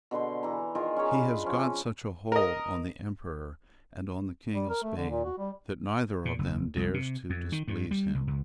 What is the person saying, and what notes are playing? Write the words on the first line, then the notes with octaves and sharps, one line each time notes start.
He has got such a hold on the Emperor and on the King of Spain that neither of them dares to displease him.
B2 D3 B4 C6
E3 A#5
D#3 F4 G#4 A#4
C#4 G#4 C#5
D4 B5
F3 C#4
A#4 D#5
G3
A#4
A3
D3
A#2
F#4
G3
A#2
F#1
C2
C3
F2
D#3
G2
G3
C2
C#2